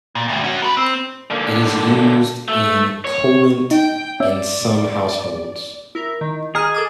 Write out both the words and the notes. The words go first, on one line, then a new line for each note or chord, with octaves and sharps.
It is used in cholent in some households.
A#2
D2 G2
C#4 F#4
A#4 B4
C4
D3 A#3
A3
C#5
D#4 G5
C#4 D5 E5
E4 A#4
D#3
G#4 D#5 A#5 F6
A4 D6 D#6